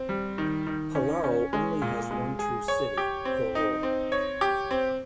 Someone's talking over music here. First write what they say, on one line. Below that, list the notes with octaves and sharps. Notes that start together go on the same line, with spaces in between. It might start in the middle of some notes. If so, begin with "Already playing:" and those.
Palau only has one true city, Koror.
Already playing: C4
G3
D#3
D#3
C#4
C#4
G#3
A#2
G#3
G#4
C#5
G4
C4
D#4
C4
C#5
G4
C4